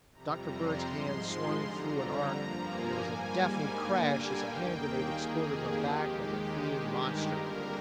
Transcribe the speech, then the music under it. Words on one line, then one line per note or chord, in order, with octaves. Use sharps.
Dr. Bird's hand swung through an arc, and there was a deafening crash as a hand-grenade exploded on the back of the fleeing monster.
F2 C3 G3 A#5
C6
G#2 F3 G#3
C6
F2 D3 G3 A#5
G2 F3 A#3
G#5
G#2 G3 A#3
G2 D3 G3 A#3
G5
D#2 D#3 A#3
G#4
F2 D#3 A#3
G4
D#2 D#3 G#3
G2 D#3 G#3
A#4
F2 D3 G3 A#3